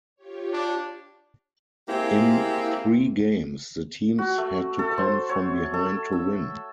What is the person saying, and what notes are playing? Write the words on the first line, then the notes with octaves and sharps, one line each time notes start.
In three games the teams had to come from behind to win.
F4 G4 C#5
D4
G#3 A#3 C4 E4 G4
F#4
A3
A4
C5
C#5
A4
E5